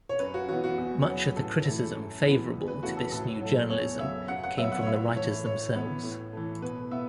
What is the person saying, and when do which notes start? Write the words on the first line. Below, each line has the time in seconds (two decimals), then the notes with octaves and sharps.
Much of the criticism favorable to this New Journalism came from the writers themselves.
0.09 C#5
0.19 F#2 B4
0.34 F#4
0.49 E3 B3 F#4
0.64 F#4
0.78 E2
1.07 C#3 F#3 B3
1.36 A2 A4
1.65 E3 A3
1.95 F#2
2.24 E3 B3
2.53 E2
2.68 B4
2.82 C#3 E3 A3 F#4
2.97 A4
3.12 A2 A4
3.41 F#3 A3
3.70 E2 C#5
3.99 C#3 F#3 E5
4.28 F#2 F#5
4.44 F#5
4.58 F#3 B3 E5
4.72 F#5
4.83 C#5
4.87 A2 E5
5.16 E3 A3 C#5
5.45 A2 C#5
5.75 E3 B3
6.03 A2
6.33 E3 A3
6.62 B2 B4
6.91 B3 E5